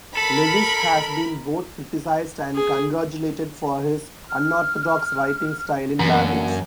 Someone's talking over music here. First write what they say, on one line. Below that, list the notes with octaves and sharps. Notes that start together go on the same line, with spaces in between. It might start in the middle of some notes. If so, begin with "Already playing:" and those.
Lewis has been both criticized and congratulated for his unorthodox writing style in "Babbitt".
A4 A#4 B5
G#4
F6
F#2 D3 E3 A#3